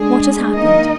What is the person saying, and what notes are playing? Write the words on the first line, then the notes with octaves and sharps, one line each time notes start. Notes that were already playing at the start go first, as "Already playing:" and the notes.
What has happened?
Already playing: G#3 D4 G#4
D#3 A#3 D#4 A#4 D#5